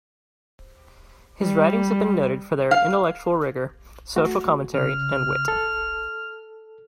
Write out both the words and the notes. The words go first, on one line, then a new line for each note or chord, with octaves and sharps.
His writings have been noted for their intellectual rigor, social commentary, and wit.
G3
F5
A3 F#4
C#3 F6
A4